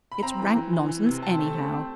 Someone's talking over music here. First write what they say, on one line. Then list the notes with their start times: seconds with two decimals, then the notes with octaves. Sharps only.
It's rank nonsense, anyhow!
0.12 B5
0.23 C4 A#5
0.39 E3
0.56 E3
0.73 E3
0.89 E3
1.06 C3
1.22 C4 A5
1.39 A3
1.55 C4
1.72 C4